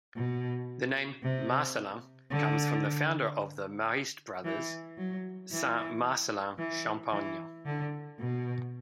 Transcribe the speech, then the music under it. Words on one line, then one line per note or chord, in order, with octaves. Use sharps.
The name Marcellin comes from the founder of the Marist Brothers, Saint Marcellin Champagnat.
B2
C3
D3
E3
F#3
E3
E3
E3
D3
B2